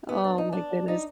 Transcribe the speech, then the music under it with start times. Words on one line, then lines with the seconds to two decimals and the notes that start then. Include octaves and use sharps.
Oh, my goodness.
0.09 B3
0.24 D4
0.38 D#4
0.53 D4
0.88 D#4